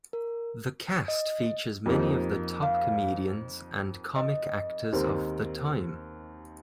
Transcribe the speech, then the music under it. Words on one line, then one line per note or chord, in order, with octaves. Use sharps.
The cast features many of the top comedians and comic actors of the time.
A#4
D#5
F2 F3 A#3 D#4 G4
F5
D#5
D#2 D#3 C4